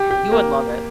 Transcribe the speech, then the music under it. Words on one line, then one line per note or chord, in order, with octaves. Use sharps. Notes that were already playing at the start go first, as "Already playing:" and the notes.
You would love it.
Already playing: G4
G4
A#3